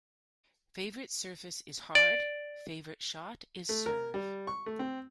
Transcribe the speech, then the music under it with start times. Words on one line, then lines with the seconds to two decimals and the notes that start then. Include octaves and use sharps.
Favorite surface is hard; favorite shot is serve.
1.95 D5
3.69 A3
3.86 A#4
4.14 G3
4.47 C#6
4.66 A3
4.79 C4